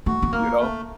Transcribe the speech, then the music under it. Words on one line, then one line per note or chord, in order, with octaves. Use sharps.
you know?
A3 F#4
B3
A#3 A#4
A3